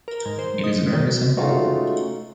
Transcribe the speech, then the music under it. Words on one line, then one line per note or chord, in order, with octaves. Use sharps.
It is very simple.
A#4
G#2
C5
D#5
D#3
G#3 A3 C#4 D#4 F4 F#4